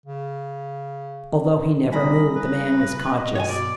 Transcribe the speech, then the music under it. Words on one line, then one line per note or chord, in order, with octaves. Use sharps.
Although he never moved, the man was conscious.
C#3
C2 G#5 A#5 B5 D#6 A#6
B4
D#5
G2 F#4 C#5 F#5 G#5
B2 D5